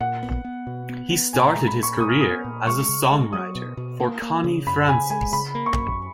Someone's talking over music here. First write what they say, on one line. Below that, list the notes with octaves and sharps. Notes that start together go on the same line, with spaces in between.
He started his career as a songwriter for Connie Francis.
A#2 F#5
B3
B3
B2
B3
B3
A#2 G#5
G#3 A#5
B5
A#2 C#6
A#2 D#6
F6
B3 D#6
A#2
G#3 C#6
C#3
G#3
F#3 D#6
B2
B2
A#3
A#3
C#3
F#2 B5
C#3 G#5
G#3 G#5
C#3 B5
A#3
C#6
F#2